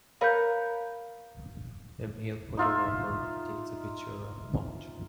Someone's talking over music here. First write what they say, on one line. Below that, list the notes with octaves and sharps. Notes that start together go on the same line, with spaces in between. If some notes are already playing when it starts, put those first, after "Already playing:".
A male photographer takes a picture of a pond.
A#4 B4 C#5 F5 A#5 G6
D#4 F4 E5